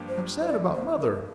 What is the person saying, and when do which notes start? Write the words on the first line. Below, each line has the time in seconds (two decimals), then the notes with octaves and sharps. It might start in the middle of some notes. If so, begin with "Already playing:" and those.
"I am sad about mother."
Already playing: G2 F3 A#3 D4 G4
0.09 C5
0.42 C5
0.48 D5
0.75 C5
1.01 A#4